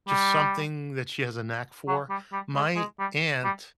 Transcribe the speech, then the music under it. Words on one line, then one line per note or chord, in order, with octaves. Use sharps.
just something that she has a knack for. My aunt
G3
F#3
G3
G3
G#3
G#3
G3
G3